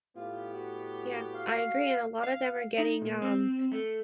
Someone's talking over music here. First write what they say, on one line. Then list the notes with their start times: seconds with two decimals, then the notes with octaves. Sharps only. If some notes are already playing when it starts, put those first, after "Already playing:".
Yeah, I agree, and a lotta them are getting, um,
0.16 A2 B3 F4 G4
0.54 F#4
1.35 F5
2.24 F5
2.78 D#4
3.02 A#2
3.22 C4
3.72 A3